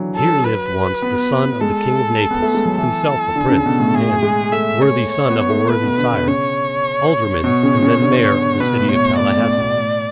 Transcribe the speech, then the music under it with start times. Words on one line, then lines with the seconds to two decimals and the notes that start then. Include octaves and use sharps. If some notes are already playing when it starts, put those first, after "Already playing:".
Here lived once the son of the King of Naples; himself a Prince, and--worthy son of a worthy sire--alderman and then mayor of the city of Tallahassee.
Already playing: D3 E3 F#3
0.16 A4
0.44 B4
1.02 B3
1.61 G#3 A4
2.31 B3
2.42 A3
2.54 G#3
2.65 F#3
2.78 E3 A4
3.36 D3
3.50 C#3
3.66 B2
3.80 A2
3.94 A2 G#4
4.23 G#3
4.52 A3 E5
4.82 C#5
5.11 C#5
5.30 B3
5.50 A3
5.69 A3 B4
5.83 B2
5.98 D3
6.13 B2
6.27 C#3 C#5
7.44 B2 C#5
7.63 C#3
7.82 C#3
8.02 D3
8.60 B2 B4
8.80 A2
8.89 C#5
8.99 A2
9.18 A2 D5
9.38 A2
9.58 B2
9.76 A2